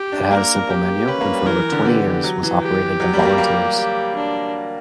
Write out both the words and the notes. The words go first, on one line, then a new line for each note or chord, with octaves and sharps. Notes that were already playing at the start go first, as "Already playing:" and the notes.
It had a simple menu and for over twenty years was operated by volunteers.
Already playing: G4
D4
A#3 A#4
G4
C#4 B4
A#3
G3
E3 A#4
E3
D3
B3 G4
F#3
E3
G4
F#3
G3
A#3
G3
A#3
G4
D4